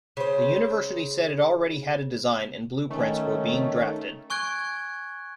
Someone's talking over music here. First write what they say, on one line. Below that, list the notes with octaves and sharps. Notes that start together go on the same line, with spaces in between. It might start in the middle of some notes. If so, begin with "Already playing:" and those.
The university said it already had a design, and blueprints were being drafted.
C#3 C5
D#3 A3 C#4
G#5 C#6 F#6 G#6 D7